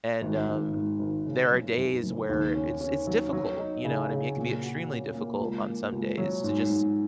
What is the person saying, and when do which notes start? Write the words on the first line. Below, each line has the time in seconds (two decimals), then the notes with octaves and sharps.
and, um, there are days where it's it's difficult, you know what I mean? It can be extremely difficult on some days to just,
0.22 G#1
0.48 G#1
0.73 G#2
0.99 G#1
1.26 C#3
1.52 F#1
1.77 F#2
2.03 F#1
2.29 D#2
2.55 C#4
2.81 C#4
3.07 F#3
3.33 F#3
3.59 D#4
3.84 C#3
4.11 C#3
4.36 A#2
4.62 F#4
4.88 C#4
5.14 A#3
5.40 C#2
5.66 A#3
5.92 C#2
6.18 F#3
6.44 G#2
6.70 G#2